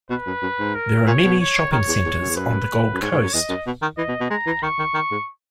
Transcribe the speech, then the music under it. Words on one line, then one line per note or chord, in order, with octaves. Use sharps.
There are many shopping centres on the Gold Coast.
B2 B4
F#2
F#2
G#2
A#4
A#2 C#5
B2
C#5
D#3 C#5
E2
E2
F#2
E2
F#2 B4
F#2
G#2 C#5
G#2
F#2
E2 D#5
F#2
B2
D#3
E3 D#5
B2
B2
G#3 A#5
E3
D#3 C#6
D#3
D#3
G#2